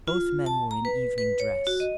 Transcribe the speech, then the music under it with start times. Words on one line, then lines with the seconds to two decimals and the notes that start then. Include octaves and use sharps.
Both men were in evening dress.
0.08 F4
0.46 A5
0.71 A#5
0.85 B4
1.18 B4
1.40 C#5
1.67 F#4
1.80 D#5